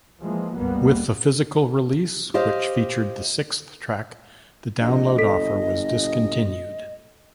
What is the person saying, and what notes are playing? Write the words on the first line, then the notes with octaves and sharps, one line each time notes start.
With the physical release, which featured the sixth track, the download offer was discontinued.
E3 F3 G#3 A#3
G#1 D2 G#2 G3 A#3 B3
G4 C5 D#5 F5
A#1 D#5
G1 A4 B6